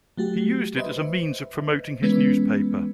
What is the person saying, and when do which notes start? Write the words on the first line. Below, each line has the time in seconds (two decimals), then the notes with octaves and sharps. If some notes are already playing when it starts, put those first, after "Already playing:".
He used it as a means of promoting his newspaper.
0.17 F#3 A3 F#4 G4
0.76 B4 C5 D#5 E5
2.02 E3 G#3 B3 C#4 B4